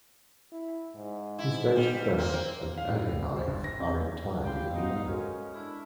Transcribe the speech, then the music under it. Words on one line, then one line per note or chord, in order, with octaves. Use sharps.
His date of birth and early life are entirely unknown.
E4
G#2
E4
G3
A#3 C4
F5
A2
F1
G#3
C5
G1
A#6
C4
E4 G4 F5 G5 C6
B3 D#4 F#4 F#5
G#3 C#4 F#4 A4 A#4
D4 E4 C#6 F6